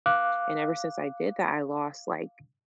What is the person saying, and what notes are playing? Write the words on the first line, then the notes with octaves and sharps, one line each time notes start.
And ever since I did that, I lost, like,
F5 D6 F#6